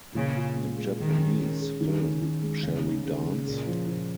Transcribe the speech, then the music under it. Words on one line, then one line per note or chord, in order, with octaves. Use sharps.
The Japanese film Shall We Dance?
A#2 C#3
F4
G#3
G#3
D#3 G#4
C#4
C#4
G#4
D#3
C#4
D#3
G#3
C#3
D#4
C#3
C#3
A#2 G#4
F3
F3